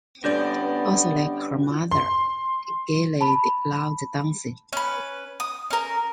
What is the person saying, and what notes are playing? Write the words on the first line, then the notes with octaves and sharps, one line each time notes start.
Also like her mother, Gelede loved dancing.
D3 G3 B3 C#4 D5 G6 A#6
C6
A5 B5
C#4 B4
D#6
C#4 A#4